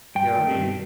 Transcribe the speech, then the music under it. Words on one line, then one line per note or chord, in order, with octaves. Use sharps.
Yeah, it'd be
G2 G5
D#3 A3
G2